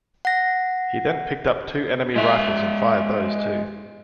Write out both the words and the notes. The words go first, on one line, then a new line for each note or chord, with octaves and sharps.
He then picked up two enemy rifles and fired those too.
F#5 A#6
G#3 E5